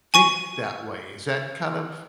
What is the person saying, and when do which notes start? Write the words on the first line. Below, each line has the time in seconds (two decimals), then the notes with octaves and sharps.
think that way." Is that kind of
0.14 G#5 C#6 D#7